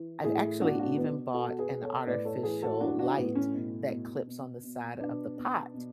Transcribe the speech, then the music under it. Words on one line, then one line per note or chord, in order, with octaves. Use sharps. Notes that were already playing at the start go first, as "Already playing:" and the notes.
I've actually even bought an artificial light that clips on the side of the pot,
Already playing: E3
A2 E4 G#4
B2 D4 F#4
D4 F#4
B2 B3 D4
B2 F#4 A4
G#4 B4
B2
A4 C#5
A2 B4 D5
A4 C#5
E3 G#4 B4
F#4 A4
E3 D4 F#4
D4 F#4
A2 B3
C#4
B2
B2
B2
B2
B2 B3 D4
B2
B2